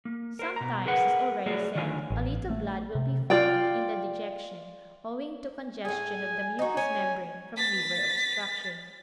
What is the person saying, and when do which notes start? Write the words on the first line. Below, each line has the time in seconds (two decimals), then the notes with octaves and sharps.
Sometimes, as already said, a little blood will be found in the dejection, owing to congestion of the mucous membrane from liver obstruction.
0.05 A#3
0.39 A#4 C5
0.56 B2 A#5
0.86 G#4 A#4 B4 F#5
1.46 F#3 A3 G#4 D5
1.75 D3 D#3 F#3 F4 D5 G#5
2.11 A1
2.50 A3
2.95 C3
3.30 F4 D5 G5
5.85 A2 G#4 G#5
6.59 D#4 F#4
6.77 C#4 G#5
7.57 A6 B6